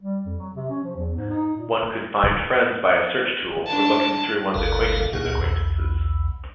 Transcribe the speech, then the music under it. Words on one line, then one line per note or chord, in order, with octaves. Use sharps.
One could find friends by a search tool or looking through one's acquaintances' acquaintances.
G3
F2
F#3
C3
C#4
F3
E2
G#2
D#4
A#2
D4 A5
G1 D2 B2 A4 A#4 F5
C#2 A#2 G#4 F#5
B1 E2